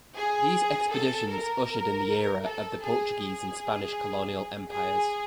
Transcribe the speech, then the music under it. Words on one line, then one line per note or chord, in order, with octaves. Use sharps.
These expeditions ushered in the era of the Portuguese and Spanish colonial empires.
G#4
A4
A#4
A4
G#4
G#4
G#4